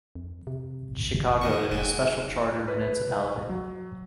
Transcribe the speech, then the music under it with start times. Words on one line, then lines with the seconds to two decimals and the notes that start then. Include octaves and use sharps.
Chicago is a special charter municipality.
0.15 F2
0.47 C3
1.16 G1
1.41 E2 D#3 A#3 C#6
1.71 F1 G#2 F#3
2.68 B4
3.49 F#3